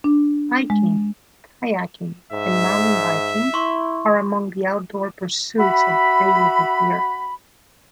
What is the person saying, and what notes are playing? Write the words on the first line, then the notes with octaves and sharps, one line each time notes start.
Hiking, kayaking, and mountain biking are among the outdoor pursuits available here.
D4
G#3
G#2 E5
E4 C6 C#6
F#4 E5 B5